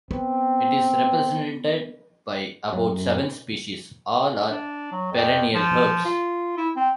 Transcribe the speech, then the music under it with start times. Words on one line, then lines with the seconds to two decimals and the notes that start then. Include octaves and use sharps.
It is represented by about seven species, all are perennial herbs.
0.11 B3 C4
2.72 F#2
4.50 D4
4.92 F#3
5.12 F2
5.54 F3
6.04 F4
6.57 E4
6.76 C4